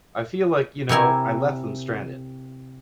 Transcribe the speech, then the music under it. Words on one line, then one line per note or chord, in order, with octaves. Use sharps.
I feel like, you know, I left them stranded.
C3 E4 A#4 G#5